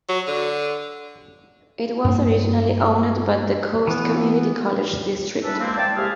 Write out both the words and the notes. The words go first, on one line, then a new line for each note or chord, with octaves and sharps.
It was originally owned by the Coast Community College District.
F#3
D3
G2 A#3
E3 B3
E3 G3 D4 A4 B4 E5
E3 G#3 A#3 C4
D5 E5 G5 A5
C2 G#3 G4 G#4 E5 F5